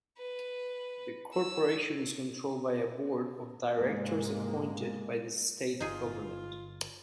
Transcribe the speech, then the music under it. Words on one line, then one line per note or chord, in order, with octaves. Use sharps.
The corporation is controlled by a board of directors appointed by the state government.
B4
E6
G#2 C3 G#3 A#3
G1 D#4 F4 G#4